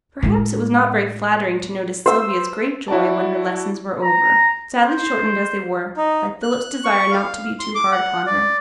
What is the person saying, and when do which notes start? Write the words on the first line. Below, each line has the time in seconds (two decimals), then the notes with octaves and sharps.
Perhaps it was not very flattering to notice Sylvia's great joy when her lessons were over, sadly shortened as they were by Philip's desire not to be too hard upon her.
0.22 A2 G#3
2.06 C5 E6
2.88 E4 F#4 D5 A5
4.02 A#5
4.81 C5
5.97 D#4
6.43 F#6
6.84 C#6
7.11 F5
7.59 C6
7.75 D6
7.91 F#5
8.26 D5